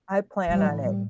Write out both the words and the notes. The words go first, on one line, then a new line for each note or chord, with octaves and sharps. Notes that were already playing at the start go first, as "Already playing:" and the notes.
I plan on it.
A2 G3
E3
G3